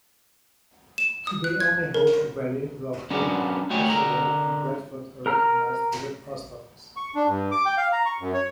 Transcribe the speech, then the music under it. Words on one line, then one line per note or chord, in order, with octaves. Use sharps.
Today only Hope Valley, Rockville, Ashaway, and Bradford are recognized with a post office.
E7
D#6
F#6
G#6
A#4
F#3 B3 C#4 D4 A#4
G3 A3 F#4 C#5 G5 G#5
D3 A#4 A#5
A#4 A#5 F6
C#6
D4
G2
D6
G5
F5
A#5
C#6
F#2
C#5